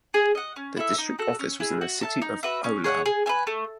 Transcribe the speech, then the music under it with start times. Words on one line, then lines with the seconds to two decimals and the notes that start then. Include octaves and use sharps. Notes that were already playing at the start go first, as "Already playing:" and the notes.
The district office was in the city of Ohlau.
0.14 G#4
0.35 D#5 F#5
0.56 C#4
0.77 E4 A4 E5
0.98 D#4
1.19 F#4 A4
1.39 C#4
1.60 E4 G#4
1.81 F#4
2.01 A4 E5 A5
2.22 D#4
2.43 F#4 B4 E5
2.64 C#4
2.84 G#4 C#5 F#5
3.06 G#4
3.26 B4 E5 G#5
3.47 A3